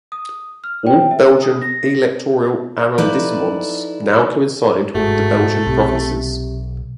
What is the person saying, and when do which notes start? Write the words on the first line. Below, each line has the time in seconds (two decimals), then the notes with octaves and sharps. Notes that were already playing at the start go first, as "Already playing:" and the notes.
All Belgian electoral arrondissements now coincide with the Belgian provinces.
0.12 D#6
0.64 F6
0.87 G5
1.11 E5
1.43 D#6
1.62 A#6
2.98 F3 D#4 E4 A4 B4 D5
4.95 G1 G#2 G#3 A3 F#4
5.66 B1 C3